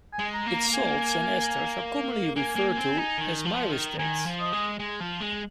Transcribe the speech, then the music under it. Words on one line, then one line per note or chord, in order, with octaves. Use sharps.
Its salts and esters are commonly referred to as myristates.
G#5
G#3
A#5
A#3
A#5
G#5
A#3 G#5
A#3
C4
D#4
D#3
F3
D#3
D#3 G#5
F3
D#5
G#3
G#3
F3
G#3